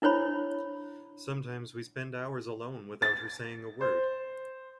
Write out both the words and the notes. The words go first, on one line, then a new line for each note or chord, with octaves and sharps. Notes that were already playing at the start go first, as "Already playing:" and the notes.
Sometimes we spend hours alone without her saying a word.
D4 E4 C5 C#5 B5
A6
C5